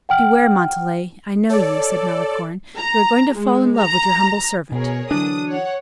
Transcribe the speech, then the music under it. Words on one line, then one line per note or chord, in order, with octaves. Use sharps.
"Beware, Montalais, I know you," said Malicorne; "you are going to fall in love with your humble servant."
F#5 G5 F6
A4 C#5 D5
A#5
G#3
A#5
B2 G#4 A#4 C#5
D3 E3 F#3 D4 D#6
C#5 F#5